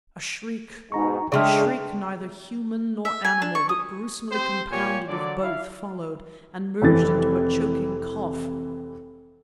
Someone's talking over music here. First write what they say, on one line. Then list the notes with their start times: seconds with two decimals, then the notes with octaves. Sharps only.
A shriek--a shriek neither human nor animal, but gruesomely compounded of both--followed... and merged into a choking cough.
0.92 G#2 B2 D#4 A#5 C#6
1.32 C#3 G#3 A3 D4 D5 G5 C6 F6
3.05 E5
3.25 G#5
3.42 D4
3.55 C#6
3.69 D#6
4.32 C4 G4 C5
4.71 A#2 A#3 G4 C#5 G#5
5.08 D3 F#3 D5
5.42 E4 F5
6.82 F1 C3 E3 A6